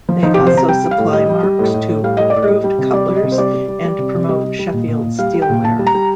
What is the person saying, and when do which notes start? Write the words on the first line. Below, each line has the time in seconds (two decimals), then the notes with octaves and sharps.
They also supply marks to approved cutlers and promote Sheffield steelware.
0.09 F3
0.23 F3 D#4
0.34 C3 G4
0.47 C5
0.53 C3 A#5
0.68 G3 G5
0.84 G3
0.91 F5
0.98 A2
1.13 G3 D#5
1.29 G3
1.43 G3
1.59 A2
1.74 A2
1.89 A2
2.04 G3 F5
2.17 A2 D#5
2.30 A2 D5
2.42 D#5
2.48 G3
2.64 G3
2.78 C3
2.93 G3 D5
3.09 G3
3.16 D#5
3.23 C3
3.32 C5
3.38 G3 D5
3.54 G3
3.68 G3
3.84 G3
3.99 C3
4.14 C3
4.29 G3 D#5
4.44 G3
4.59 G3
4.73 A#2
4.88 A#2
5.04 A#2
5.19 G3 F5
5.35 G3
5.42 G5
5.50 A#2
5.64 A#2 A5
5.79 G3
5.87 A#5
5.95 G3